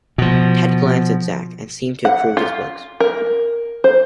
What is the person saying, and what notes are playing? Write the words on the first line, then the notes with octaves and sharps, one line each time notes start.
Ted glanced at Zack and seemed to approve his looks.
B2 F3
F#5
F4
A#4
C5